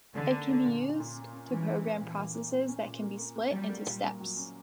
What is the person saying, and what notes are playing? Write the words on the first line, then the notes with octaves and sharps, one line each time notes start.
It can be used to program processes that can be split into steps.
D3 C#4
A#3
A#3
A#2
C#4
A#2
C#4
C#4
E3 C#4
A#3
C#4
A#2
A#2
A#3
A#2
C#4
A#2
A#3
A#3
A#3
F#3 G3
A#3
A#2
A#3
F#3
C#4